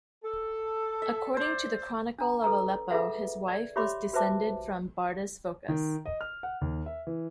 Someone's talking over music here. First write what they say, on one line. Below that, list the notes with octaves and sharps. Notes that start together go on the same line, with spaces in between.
According to the Chronicle of Aleppo, his wife was descended from Bardas Phokas.
A4
E5
C5 D5
D4 A#5
A4 B4 A#5 E6
F4 G#4 A4 B4 E5 F#5
D5
G4 C#5 E5 B5 C6 D6
F#4 B4 C5 E5 A5 D6
D#3
D#5
F6
F#5
D#2
E5
E3